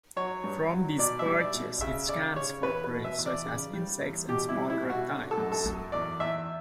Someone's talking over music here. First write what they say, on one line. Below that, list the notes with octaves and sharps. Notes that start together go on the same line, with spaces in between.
From these perches it scans for prey, such as insects and small reptiles.
F#3 C#5
G2
F#3
B2 D5
E5
G3
D5
B2
C#3 E5
C#3 D5
C#3 C#5
E2 B4
B4
B2
E5
E2
D5
C#3
G3
E2
B2 G4
E4
G3
E4
B2
F#4
D3
A4
F#2
A4
F#2
E2 D5
E2 E5